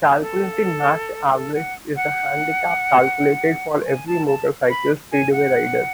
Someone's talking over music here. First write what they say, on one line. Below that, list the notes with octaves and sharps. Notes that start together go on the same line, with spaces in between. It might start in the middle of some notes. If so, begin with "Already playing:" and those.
Calculated Match Average is a handicap calculated for every motorcycle speedway rider.
A4
A4
F#5
F#5
G#5
A5
A5
B5
G#5
F#5